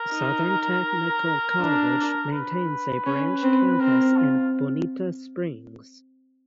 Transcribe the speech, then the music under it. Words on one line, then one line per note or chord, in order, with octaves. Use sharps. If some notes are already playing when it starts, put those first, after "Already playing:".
Southern Technical College maintains a branch campus in Bonita Springs.
Already playing: A#4
D#4
D4
B4
C#4
C4
C4 A#4
F4